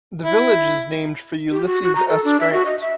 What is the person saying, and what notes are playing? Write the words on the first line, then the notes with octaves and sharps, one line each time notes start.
The village is named for Ulysses S. Grant.
E4
G4
F#4
F#4
A#5
A4
D4
E5
F#4
D#5
E5